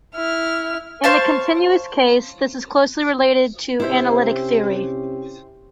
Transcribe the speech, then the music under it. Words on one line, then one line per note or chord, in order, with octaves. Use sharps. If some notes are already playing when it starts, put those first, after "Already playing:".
In the continuous case, this is closely related to analytic theory.
E4 F6
C5 C#5 F5 A5
C3 C#4 E4 G4 C5 E5